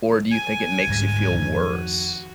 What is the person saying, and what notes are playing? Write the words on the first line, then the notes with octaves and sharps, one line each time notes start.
or do you think it makes you feel worse?
G#5
D2 G#2 G3
F2 D#3
F#4